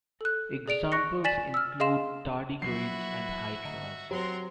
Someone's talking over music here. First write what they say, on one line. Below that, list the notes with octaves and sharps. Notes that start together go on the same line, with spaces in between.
Examples include Tardigrades and Hydras.
A4 F#6
G#4 D5 D7 F7
C#6 F#6 A#6 C#7
D5 G#5 A6 B6 E7 F#7
E6 F6
G#4 D#5 F5 C6 E7
F3 F#3 E4 F#4 B4 E5 B5 C7
D3 D#5 A#5
F#3 C4 G4 A#4 F#5 C6